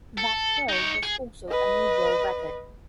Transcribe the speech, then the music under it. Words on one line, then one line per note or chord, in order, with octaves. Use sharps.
That throw of was also a new world record.
A4
D#4 C#5
G#4
B4 D#5